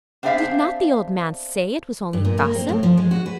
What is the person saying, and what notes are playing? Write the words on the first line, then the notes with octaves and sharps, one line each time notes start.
Did not the old man say it was only gossip?
B3 C4 D4 G#4 E5 F5
G2
A#2
A#3
C4
A2
F3
G#3
F#4
B4